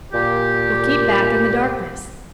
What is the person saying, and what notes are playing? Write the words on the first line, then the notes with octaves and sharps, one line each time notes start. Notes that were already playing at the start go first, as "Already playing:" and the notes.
We'll keep back in the darkness.
A#2 G4